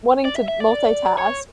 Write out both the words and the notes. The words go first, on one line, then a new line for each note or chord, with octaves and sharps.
wanting to multitask,
D5
E5
E5
D5
C#5